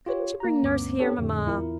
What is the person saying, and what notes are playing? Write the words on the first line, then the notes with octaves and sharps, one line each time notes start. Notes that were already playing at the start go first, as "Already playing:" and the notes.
Couldn't you bring nurse here, mamma?
F4 G4 C#5
A#3 A#5
D2 G2 B3 C#4 D6
C4 D4 G4 A4 C#5
F2 A2 D3
E2 E4 F4 A#4